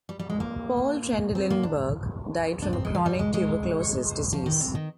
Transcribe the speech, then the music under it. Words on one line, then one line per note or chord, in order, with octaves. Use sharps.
Paul Trendelenburg died from a “chronic tuberculosis disease”.
G3
G3
G#3
A#3
C4
A#3
D4
D4
C4
G#3
F3
G3
G#3
G#3
F3
D#3
C3
D#3